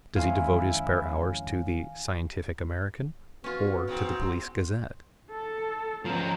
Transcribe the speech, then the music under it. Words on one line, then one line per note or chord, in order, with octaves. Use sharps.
Does he devote his spare hours to the "Scientific American" or to the "Police Gazette"?
F2 D#3 G#3 C#4 E4 C5 F5 G#5
B3 C#4 F4 F#4
G#2 C4
A4
F3 B3 C#4 A#5